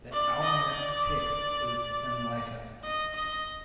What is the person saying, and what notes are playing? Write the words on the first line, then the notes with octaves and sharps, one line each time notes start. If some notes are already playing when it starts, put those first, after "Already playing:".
The "Almanach"'s text is in Latin.
D5
D#5
D5
D#5
D#5